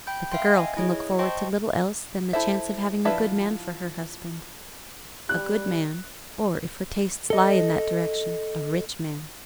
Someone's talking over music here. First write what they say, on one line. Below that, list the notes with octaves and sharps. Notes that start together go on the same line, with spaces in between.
But the girl can look forward to little else than the chance of having a good man for her husband;--a good man, or if her tastes lie in that direction, a rich man.
G5 B5 G6
E5 F5 G5 C6
D#5 G#5
E4 G#4 C#5 D#5
C5 D#5 G5 A5 C6 C#6
E4 A4 C5 E5
F3 D4 E4 B4 E5
G3 F#6
A4 D#5